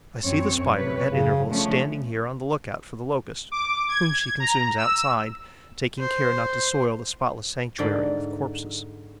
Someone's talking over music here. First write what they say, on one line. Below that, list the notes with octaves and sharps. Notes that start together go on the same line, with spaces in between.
I see the Spider, at intervals, standing here on the look-out for the Locust, whom she consumes outside, taking care not to soil the spotless sanctuary with corpses.
F#2 C4 C#5
C3 B4 C#5
F#2 C#3
D3 F3 A3 C#4
D6
G#6
A#5
E6
C5
G#2 D3 D5